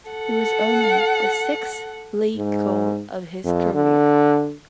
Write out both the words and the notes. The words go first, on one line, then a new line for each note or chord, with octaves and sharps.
It was only the sixth league-goal of his career.
A4 F#5
G#2
F2
D3